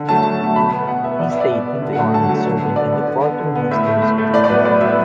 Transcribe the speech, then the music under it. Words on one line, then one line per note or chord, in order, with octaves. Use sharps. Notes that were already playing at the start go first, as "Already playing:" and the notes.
He stayed in the army serving in the quartermaster's department.
Already playing: D3
F#3 A3 A5
D3
F#3 A3
B2 B5
B3
B2 F#5
B3 E5
B2 D5
E5
B3
D5
B2
B3
D3
F#5
F#3 A3
D3 A5
F#3 A3
D3
B3
D3 D5
B3
D3
B3
D3
B3
A2 E5
A3
A2
A3
A2 D5
D5
F#3 B3 B4
A2 D5
F#3 B3 E5